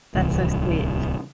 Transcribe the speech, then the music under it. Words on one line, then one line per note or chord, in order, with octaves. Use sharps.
That's so sweet.
D1 C2 E3